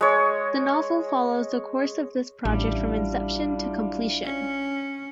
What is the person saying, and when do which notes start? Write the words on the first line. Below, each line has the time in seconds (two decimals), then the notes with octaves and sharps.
The novel follows the course of this project from inception to completion.
0.01 G#3 C#5
2.45 A1 G3 D4 E4 F4
4.24 C#4